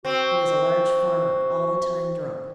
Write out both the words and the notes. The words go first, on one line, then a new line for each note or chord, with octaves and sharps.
He was a large farmer, all the time drunk.
C4 F#4